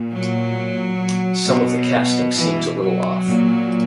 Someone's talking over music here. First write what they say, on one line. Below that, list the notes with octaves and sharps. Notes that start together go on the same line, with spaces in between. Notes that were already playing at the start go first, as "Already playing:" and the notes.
Some of the casting seems a little off.
Already playing: A#2
F#3
B2
E3
F#3
A#2